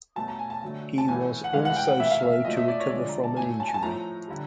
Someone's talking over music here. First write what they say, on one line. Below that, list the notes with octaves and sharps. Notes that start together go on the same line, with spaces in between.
He was also slow to recover from an injury.
B2 F#3 A3 A5
A#5
G#5
A5
D3 F#3 A3
A5
A2 E3 A3 G#5
F#5
C3 E3 G#3 F5
F#5
G5
F#5
C3 E3 A3 E5
F5
E5
A#2 F#3 A3 D#5
E5
D5
C#5
D3 F3 G#3 D5
A#5
A5
A2 F#3 A3 G#5
A5
G#5
A5
A2 F3 A3 A#5
D3 G3